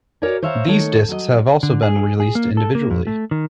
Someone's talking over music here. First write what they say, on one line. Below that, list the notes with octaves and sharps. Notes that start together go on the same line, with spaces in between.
These discs have also been released individually.
F#4 A#4 C#5 D5 E5 G#5
C5 C#5 E5 F5 G#5 A#5
D#3 A3 C#5
F#3 D#5
D3
G#4
G#4
A#3
A4
A#3
F2
A3
D#3